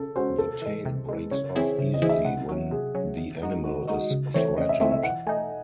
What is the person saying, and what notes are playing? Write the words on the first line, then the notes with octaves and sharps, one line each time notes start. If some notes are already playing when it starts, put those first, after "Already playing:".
The tail breaks off easily when the animal is threatened.
Already playing: C#3 A4
G#3 C#4 F#4 C5
C3 A4
E3 G#3
C3
E3 G#3
C#3 C#5
E3 C4 E4 G#4 C#5
C#3
D#5
E3 C4 E4 G#4
E5
C3 F#5
F#3 C#4
C3 G#4
F#3 C#4
D#3
G#3 D#4 F#4
D#3 F#4
G#3 D#4 F#4 D#5
C#3
E3 A3 C4 C#5
C#3 D#5
E5
E3 A3 C4 E5
E5
E3 F#5
A3 D#4 G#5